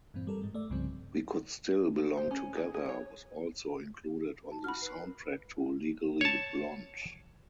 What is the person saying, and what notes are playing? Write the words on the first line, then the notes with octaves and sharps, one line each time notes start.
"We Could Still Belong Together" was also included on the soundtrack to "Legally Blonde".
G2 A#2 E3 C4
G3 A4 A#4
G#2 G#3
A3 D5
C2 G2 C#3 F3 G3 C4
C5
C#4
G#4
G#4
C#5
D#4 A5
F#4 B5 F6
B4 C7
A#4
C#5 A5